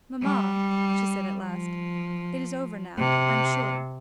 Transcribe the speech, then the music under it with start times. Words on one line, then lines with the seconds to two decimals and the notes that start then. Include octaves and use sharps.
"Mamma," she said at last, "it is over now, I'm sure."
0.22 G3
1.41 F3
2.99 C3